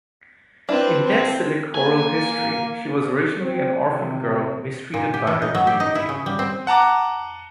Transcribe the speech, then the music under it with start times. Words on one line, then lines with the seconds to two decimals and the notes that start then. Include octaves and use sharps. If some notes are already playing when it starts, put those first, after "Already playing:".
In Netsilik oral history, she was originally an orphan girl mistreated by her community.
0.69 C4 D4 E4 B4
1.05 C4
1.74 A#3 G#5
3.40 C4
3.88 C3
4.94 A#2
5.14 G4
5.27 E3
5.42 D#4
5.55 F#3
5.67 G4
5.80 D#4
5.95 E4
6.09 C#3
6.26 G3
6.39 C4
6.67 F#5 A5 A#5 D6